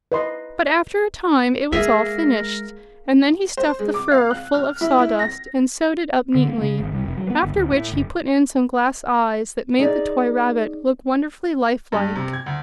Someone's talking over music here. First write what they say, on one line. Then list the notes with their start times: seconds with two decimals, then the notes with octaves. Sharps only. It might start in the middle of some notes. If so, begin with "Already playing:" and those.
But after a time it was all finished, and then he stuffed the fur full of sawdust and sewed it up neatly; after which he put in some glass eyes that made the toy rabbit look wonderfully life-like.
0.12 B4 D#5 C6
1.72 G#3 A#3 G#4 A#4 E5
3.57 C5
3.79 G#3
3.94 D6
4.12 F5
4.31 F#6
4.54 F6
4.81 E4
4.98 E4
5.19 A#6
6.35 D3
6.48 A#3
6.61 C#3
6.80 G#1
6.92 C2
7.04 F1
7.17 F#3
7.30 B3
7.43 G1
7.55 D1
7.72 A2
7.92 F#1
9.79 D#4 G#4 D5
11.92 G2
12.16 C3
12.33 G#6
12.46 D2